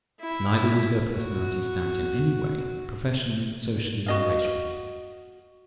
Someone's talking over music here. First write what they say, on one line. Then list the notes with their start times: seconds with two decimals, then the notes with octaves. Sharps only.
Neither was their personality stamped in any way, professionally, socially or racially.
0.20 E4
1.14 F#4
4.06 F#4 D#5 F5